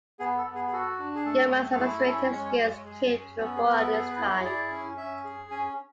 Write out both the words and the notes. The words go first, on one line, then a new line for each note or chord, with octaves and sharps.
Gilman's administrative skills came to the fore at this time.
B3 G#4
A4
B3
G#4
G#4
F#4 A4
D4
G#4
A3 A4
A3
A4
E4 G#4
G#4
C#4 A4
G#3 C#5
C#5
G#3 D5
C#5
G#4
C#4
B3 A4
G#4
B3 B4
A4
G#4 A4
B4
E4
C#5
G#4 D5
C#4
C#4 E5
G#4
C#4 G#5